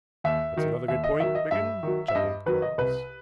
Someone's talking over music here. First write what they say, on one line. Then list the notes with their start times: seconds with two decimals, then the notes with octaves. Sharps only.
"That's another good point, Wigan," chuckled Quarles.
0.24 D#2 E5
0.56 D#3 F#3
0.88 D#2 E5
1.04 D#5
1.20 D#3 F#3 E5
1.35 D#5
1.51 G2 E5
1.83 D#3 F#3
2.08 E5
2.15 G2 D#5
2.46 D#3 F#3 B4
2.62 D#5
2.78 C2 B4